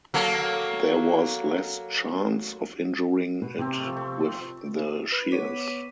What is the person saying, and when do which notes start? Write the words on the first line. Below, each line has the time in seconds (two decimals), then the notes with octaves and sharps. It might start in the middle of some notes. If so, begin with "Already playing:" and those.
There was less chance of injuring it with the shears.
0.14 F#3 A#3 A4
3.42 B2
3.58 C3 C4 G4
3.81 F3 A3
3.97 A3
5.12 B4
5.31 B3 B4 C#5 D6 B6 D#7